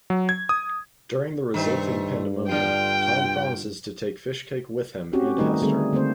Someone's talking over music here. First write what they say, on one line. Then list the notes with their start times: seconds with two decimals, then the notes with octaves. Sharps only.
During the resulting pandemonium, Tom promises to take Fishcake with him and Hester.
0.10 F#3
0.29 G#6
0.49 D#6
1.54 G2 D#3 A3 C5
2.49 D3 F4 G5
5.13 C4 C#4 F#4 G4
5.38 D#3 G3 A3 D#4 B4
5.62 D3 G3 A3 C4 G#4
5.93 D3 A3 A#3 C4 C5